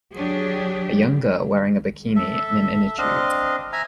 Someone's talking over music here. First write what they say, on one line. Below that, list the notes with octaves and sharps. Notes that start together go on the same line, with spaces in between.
A young girl wearing a bikini in an innertube.
F#3 D4 G4 G#4
A4 E5
C4 D4 D#5 F5
E5 G#5 A#5